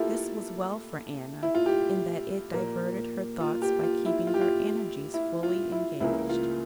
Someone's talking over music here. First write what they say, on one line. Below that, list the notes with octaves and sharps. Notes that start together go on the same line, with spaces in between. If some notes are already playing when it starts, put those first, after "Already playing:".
This was well for Anna, in that it diverted her thoughts by keeping her energies fully engaged.
Already playing: A#3 E4 F4 G4 A4
E4
F4
G4
A#2 F3 A#3
F4
G4
F4
E4
F4
G4
F4
E4
F4
E4
C#2 C#3 F3 A#3 E4
F4